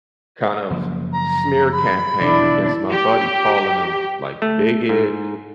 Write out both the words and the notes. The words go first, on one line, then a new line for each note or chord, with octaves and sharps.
kind of, smear campaign against my buddy, calling him, like, bigot,
F#1 F3 A#3
A#5
B5
E1 D3 D4 E4
G4
A3
G#2